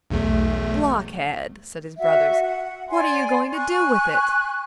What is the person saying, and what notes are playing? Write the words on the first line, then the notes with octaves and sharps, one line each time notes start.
'Blockhead!' said his brothers, 'what are you going to do with it?'
B1 E2 A3
F#4 E5 F#5
F#5
D5 G#5 C6
G#5 C#6 F#6